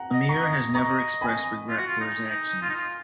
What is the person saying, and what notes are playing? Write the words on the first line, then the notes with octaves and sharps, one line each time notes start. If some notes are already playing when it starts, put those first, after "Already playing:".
Amir has never expressed regret for his actions.
Already playing: F#5 A#5
D#5
A#5 C#6
D#5
D#5 A#5 C#6
G#5 B5
F4
F#4
F4
D#4
D#4
F4
D#4
F4